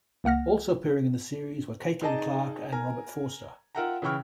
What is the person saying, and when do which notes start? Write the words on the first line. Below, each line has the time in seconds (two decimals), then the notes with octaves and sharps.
Also appearing in the series were Caitlin Clarke and Robert Forster.
0.24 C#2 A#3 F#5 F6 A#6
2.01 D#4 G#4 D5 D#5 A5 A#5
2.72 A#4 G#5 A#5
3.75 F4 A#4 E5 F#5 G5 A#5
4.02 C#3 E3 E4 G5 C#6 F6